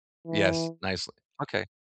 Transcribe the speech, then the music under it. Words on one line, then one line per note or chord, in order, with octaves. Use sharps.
Yes, nicely. Okay.
E3